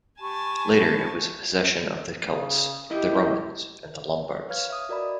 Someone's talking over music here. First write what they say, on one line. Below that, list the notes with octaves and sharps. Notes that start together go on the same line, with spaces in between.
Later it was a possession of the Celts, the Romans and the Lombards.
G4 G#5 A5 B5 C#6
C#3
E4 G4 D#5
B4 C#5 F5 F6 G#6
E5 D#6
F#4 A#4 D5 D#5 B5